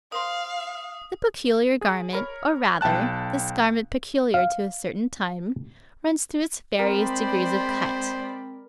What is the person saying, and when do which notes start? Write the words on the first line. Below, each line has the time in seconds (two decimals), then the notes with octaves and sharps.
The peculiar garment, or rather, this garment peculiar to a certain time, runs through its various degrees of cut.
0.12 A#4 C5 F5 C6 D#6
1.81 G#4
2.13 A#4 C#5 B5
2.81 B1 G5 A5 F#6
4.34 F5
6.79 G#3 C4 A#4 C5 D5 B5